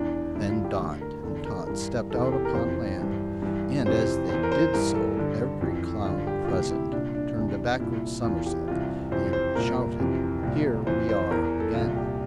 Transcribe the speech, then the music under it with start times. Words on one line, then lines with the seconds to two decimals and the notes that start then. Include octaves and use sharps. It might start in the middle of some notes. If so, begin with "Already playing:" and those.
Then Dot and Tot stepped out upon land, and as they did so every Clown present turned a backward somersault and shouted, "Here we are again!"
Already playing: E2 E3 D4
0.35 G2 D3 E4
0.46 E4
0.50 F4
0.64 G4
0.79 D2 D3
1.01 A#4
1.23 E2 D3 A4
1.45 A#4
1.67 G2 E3 A#4
2.11 E2 C3 E3 A4
2.32 G4
2.45 A#4
2.55 F2 E3 C5
2.99 G2 E3
3.42 G2 E3
3.86 F2 C3 E3 C5
4.29 E2 E3 C5
4.43 A#4
4.52 C5
4.74 G2 E3 A#4
4.95 A4
5.17 G2 D3
5.61 F2 E3
6.05 G2 D3 F4
6.27 G4
6.45 F4
6.48 D2 C3 E3 G4
6.71 E4
6.92 C2 A#2 D4
7.15 D4
7.36 E2 C3 E3
7.80 C2 A#2 E4
8.24 E2 E3 F4
8.46 G4
8.68 C2 C3 E3 F4
9.11 F2 C3 E3 C5
9.33 C5
9.55 C2 A#2 A#4
9.99 F2 C3 E3
10.43 C2 A#2
10.87 F2 E3 C5
11.09 C5
11.31 E2 E3 A#4
11.60 A4
11.74 C2 A#2 F4
11.96 G4